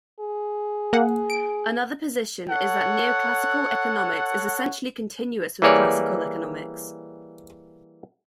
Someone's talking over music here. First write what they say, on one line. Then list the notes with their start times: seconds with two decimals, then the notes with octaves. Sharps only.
Another position is that neoclassical economics is essentially continuous with classical economics.
0.20 G#4
0.93 A#3 F#5
1.30 D7
2.49 A4 C#5 F#5
5.62 E3 G3 A#3 G#4 C#5 D5